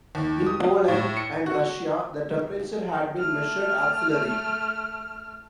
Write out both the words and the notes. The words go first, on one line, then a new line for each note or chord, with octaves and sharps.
In Poland and Russia, the temperature had been measured axillary.
D#2
D#6
A2
C#7
F#4
A3 F6